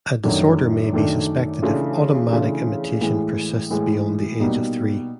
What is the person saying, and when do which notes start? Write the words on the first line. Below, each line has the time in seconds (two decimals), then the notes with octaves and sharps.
A disorder may be suspected if automatic imitation persists beyond the age of three.
0.23 F#2 D#3 F#3 A3 D4
0.93 F#2 D#3 F#3 A3 D4
1.62 C#3 E3 A3 D4 F4
2.31 C#3 E3 A3 D4 F4
3.01 A2 E3 G#3
3.71 A2 E3 G#3
4.40 B2 G3 A#3 D#4